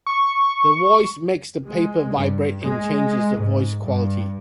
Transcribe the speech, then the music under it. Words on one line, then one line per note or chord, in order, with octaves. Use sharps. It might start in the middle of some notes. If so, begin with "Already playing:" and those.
The voice makes the paper vibrate and changes the voice quality.
C#6
G#3
G2
G#3
G#2
G2